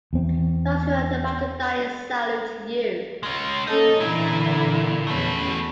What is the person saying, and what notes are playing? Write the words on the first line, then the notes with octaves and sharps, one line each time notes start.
Those who are about to die salute you!
E2 C4
G#3 C#4
A#3 C#4 D#4 A4
A#2 D3 E3 E4
E2 A3 C#4 B4